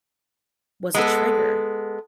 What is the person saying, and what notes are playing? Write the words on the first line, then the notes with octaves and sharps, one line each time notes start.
was a trigger."
G#3 B3 A4